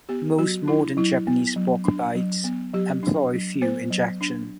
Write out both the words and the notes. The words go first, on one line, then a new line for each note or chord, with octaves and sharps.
Most modern Japanese sportbikes employ fuel injection.
B3 G4
F#3 F#4
D4 E4
F#3 E4
B3
F#3
D4
F#3
B3
F#3 G4
D4
F#3
B3 C5
F#3
D4